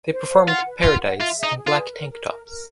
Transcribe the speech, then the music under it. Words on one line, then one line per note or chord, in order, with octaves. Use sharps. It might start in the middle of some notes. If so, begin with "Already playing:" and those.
They performed "Paradise" in black tank tops.
C5
F5
F4 F#5
B4
F4 F#5
F#5
F4 E5
G#4
D#4
G#4
F4
B4
A#4
A#4
A#4
A#4